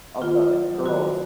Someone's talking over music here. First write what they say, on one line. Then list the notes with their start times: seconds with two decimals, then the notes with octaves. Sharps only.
of the girls.
0.21 D#3 F4
0.53 F#3
0.85 D#3 F#4